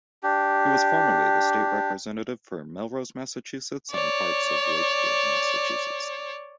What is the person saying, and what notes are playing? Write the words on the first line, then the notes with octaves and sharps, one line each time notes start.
He was formerly the state representative for Melrose, Massachusetts and parts of Wakefield, Massachusetts.
D4 G4
C#5 D5